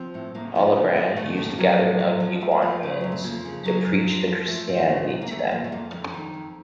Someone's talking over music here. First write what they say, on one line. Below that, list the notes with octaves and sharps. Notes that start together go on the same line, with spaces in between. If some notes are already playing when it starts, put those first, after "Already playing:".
Alabrand used the gathering of Ugaunians to preach the Christianity to them.
Already playing: F3 C4
A2
A2 A#3
F3
C#3
F3
C#3 A3
D#2
F3 F#3
A2
F3
F3
F2 A3
A#3
F3 A3
C#3
F2 F#3
A3
F3 A#3
C#3
F#2 F#3
F#2
F3
F3
F3 A3
F3
C#3
D#2
A#3
D#2 A3
F3 A#3
A3
F2 A#3
F2
D#3
F2